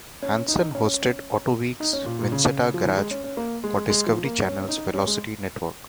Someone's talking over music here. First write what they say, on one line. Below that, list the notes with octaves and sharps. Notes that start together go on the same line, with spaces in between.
Hansen hosted "Autoweek's Vinsetta Garage" for Discovery Channel's Velocity network.
C#4
D#4
C#4
D#4
C#4
A#2
A#2
C#3
F3
D#3
G#3
C#4
C#4
A#3
G#3
G#3
F3
A#3
C#4
C#4
D#4
C#4
G#3